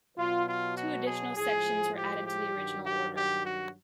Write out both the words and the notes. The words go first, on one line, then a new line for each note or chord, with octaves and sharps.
Two additional sections were added to the original order.
B2 F#3 F4
F4
F#4
G#4
A2 F3 G#3 G#4
G4
G4
G2 D#3 F#3
G4
G4
F#4